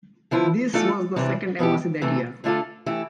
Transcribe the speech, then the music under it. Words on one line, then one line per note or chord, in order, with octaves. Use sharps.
This was the second embassy that year.
D3 F3 B3 E4
E3 A3 D4 F4 A4
C3 E3 G3 D4
B2 B3 E4 G4
C3 E3 A3
D3 A3 D4 F4 A4
E3 A3 E4 G4